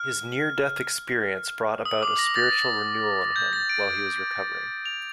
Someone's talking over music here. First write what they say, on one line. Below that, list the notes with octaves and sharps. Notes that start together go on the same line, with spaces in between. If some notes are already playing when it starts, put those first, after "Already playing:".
His near-death experience brought about a spiritual renewal in him while he was recovering.
Already playing: F6
D#6
D6
A#6
A6
G6
A6
D7
F7